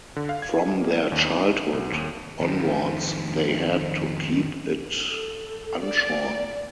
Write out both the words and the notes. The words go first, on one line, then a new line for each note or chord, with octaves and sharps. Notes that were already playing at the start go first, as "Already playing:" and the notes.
From their childhood onwards they had to keep it unshorn.
D3
F5
G#6
A#3
D#2
D#4
C2
D#2
F2 D#3
A4
D5